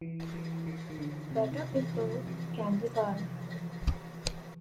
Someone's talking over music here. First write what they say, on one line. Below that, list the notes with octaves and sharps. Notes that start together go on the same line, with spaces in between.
Butter Brickle... candy bar!
E3
E3
D#3
D#3
D3
C3
D#3
E3
F3
E3